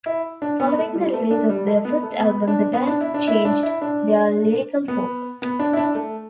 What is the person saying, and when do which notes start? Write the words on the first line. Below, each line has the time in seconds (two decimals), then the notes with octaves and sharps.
Following the release of their first album the band changed their lyrical focus.
0.06 E4
0.42 D4
0.60 B3
0.78 A3
0.96 G3
1.13 A3
1.31 D4
1.49 G3
1.67 A3
1.85 B3
2.03 A3
2.20 B3
2.48 D4
2.73 B3
2.88 D4
3.01 E4
3.14 D4
3.27 E4
3.45 D4
3.63 E4
3.82 D4
4.88 B3
5.42 B3
5.59 D4
5.73 E4
5.77 D4
5.95 A3